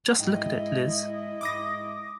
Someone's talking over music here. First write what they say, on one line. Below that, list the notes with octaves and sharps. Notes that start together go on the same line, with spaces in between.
Just look at it, Liz.
G#2 E4 D#5 G5
G#2 B5 D6 D#6 A#6